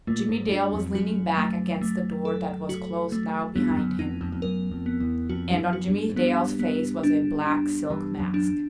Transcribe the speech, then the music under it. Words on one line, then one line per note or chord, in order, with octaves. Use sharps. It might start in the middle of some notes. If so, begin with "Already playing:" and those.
Jimmie Dale was leaning back against the door that was closed now behind him--and on Jimmie Dale's face was a black silk mask.
A#2 A3
G#2
G2 F#4
F2
F#2 F#4
A3
A3
A4
F#4
A3
G2 B3
F2
F#2
F2 D#4
F2
F2
F#2 A#4
F2
B3
E2
F2 F#4
G2
F#2
F#4
G2
G#2
G2 B3
B3
D4
D4
G2 E3
F#2
D4